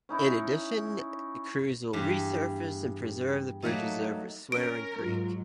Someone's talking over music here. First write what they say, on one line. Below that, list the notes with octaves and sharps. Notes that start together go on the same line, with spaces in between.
In addition, crews will resurface and preserve the bridges over Swearing Creek.
C#4 D#4 E4
E2 G2 G4
F#3 A3 A#3 D#4
C#4 A#4 D7
G#2 F#3 F4